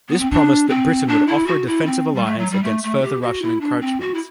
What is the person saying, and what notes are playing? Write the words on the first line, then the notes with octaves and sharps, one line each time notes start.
This promised that Britain would "offer a defensive alliance against further Russian encroachments".
B3
C4
D4
C4
D4
E4
F#4
E4
C4
G3
A3
F#3
G3
A3
A3
G4
F#4
E4
D4
C4
F#4
E4